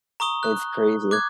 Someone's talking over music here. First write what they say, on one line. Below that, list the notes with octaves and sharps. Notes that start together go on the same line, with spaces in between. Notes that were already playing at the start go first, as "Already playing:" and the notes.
It's crazy.
A#5 C#6 D#6 G7
F#6
D6 F#6 G#6